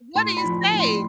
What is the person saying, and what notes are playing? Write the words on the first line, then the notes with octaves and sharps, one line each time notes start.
what do you say?
A2 C6
B5
F3
A2
C6